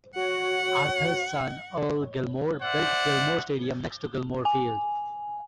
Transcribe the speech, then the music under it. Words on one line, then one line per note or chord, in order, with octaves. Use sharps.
Arthur's son Earl Gilmore built Gilmore Stadium next to Gilmore Field.
F#4 C#5 F#5
C5 D5 E5 F#5
G#5